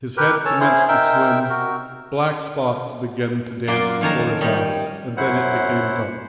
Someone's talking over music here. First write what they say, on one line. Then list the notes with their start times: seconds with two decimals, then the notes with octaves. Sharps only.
His head commenced to swim, black spots began to dance before his eyes, and then it became dark.
0.17 G4 A#4 B4
0.45 C#4 A4 C#5 A5
0.60 C#4 E4 G#4 C5
0.88 D#4 A#4 E5 G5
1.50 F#4 A#4
3.67 F#2 A#3 F4 D5 C6
4.01 F2 D#3 C#5 A5 A#5
4.41 D#3 G3 C#5 D#5
5.17 F#2 F#3 E4 C5 F#5